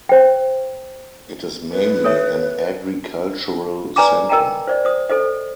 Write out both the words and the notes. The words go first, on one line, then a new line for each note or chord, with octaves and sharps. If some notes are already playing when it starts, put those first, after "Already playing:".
It is mainly an agricultural centre.
C5 G5
B4
A4 C#5 E5
B4 D5 G#5 A#5 D6
A#4 D#5 G5 A5 A#5
C5 D5 D#5
C5 D#6
A4 C5 D#5